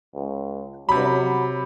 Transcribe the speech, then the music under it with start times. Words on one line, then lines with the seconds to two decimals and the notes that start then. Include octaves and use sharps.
But, um
0.15 C#2
0.89 C3 F#3 B5